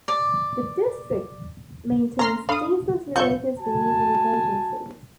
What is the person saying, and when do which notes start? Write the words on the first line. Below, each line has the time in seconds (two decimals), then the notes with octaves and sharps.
The District maintains diesel generators for use in emergencies.
0.08 D5 D6
2.19 C#4 A#5 C6 F6
2.49 D4 A4 F5 B5 D#6
3.16 F4 C#5 E5 C#6 G6
3.60 F#4 G#5 A5